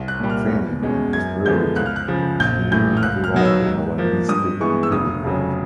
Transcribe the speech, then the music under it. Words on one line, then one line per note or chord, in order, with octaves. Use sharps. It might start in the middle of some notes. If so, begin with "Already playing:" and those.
Fame and prosperity continued throughout the Hellenistic period.
Already playing: C2
F#6
A#2 G3
F6
E2
B2 G#3 C#4
F#2 G#6
D3 F3 G#3 B3 G6
C#2 F#6
F6
F#6
C#3 F3
A#1 G6
A2 E3 G6
F6
C#2 F#6
F6
B2 F#3 B3 D#4
E6
G#2
F3 A#3
G2 D#6
E3 G#3 B3 C#6
E6
F1 D#6
F2 C#3 F#3